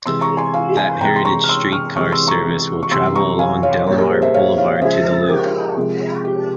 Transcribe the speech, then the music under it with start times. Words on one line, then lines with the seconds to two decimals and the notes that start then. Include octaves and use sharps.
That heritage streetcar service will travel along Delmar Boulevard to the Loop.
0.06 C3 E3 G#3 C6 E6
0.21 A#5 C#6
0.37 G#5 C6
0.54 F5 G#5
0.77 F5 G#5
1.01 C3 E3 G#3 G5 A#5
1.16 C6
1.25 A#5 C#6
1.44 F6
1.49 C6 E6
1.72 C#6 F6
1.96 C3 E3 G#3 C#6 F6
2.12 C6 E6
2.28 A#5 C#6
2.83 C#6
2.91 C3 E3 G3 C6 E6
3.15 A#5 C#6
3.39 F5 G#5
3.63 C#5 F5
3.86 A#2 G3 A#4 C#5
3.98 G4 A#4
4.10 G#4 C5
4.22 C5 E5
4.34 C#5 F5
4.58 C#5 F5
4.76 F5
4.82 C#3 F3 G#3 C5 E5
5.05 G#4 C5
5.29 G4 A#4
5.77 C3 F3 G#3
6.25 G4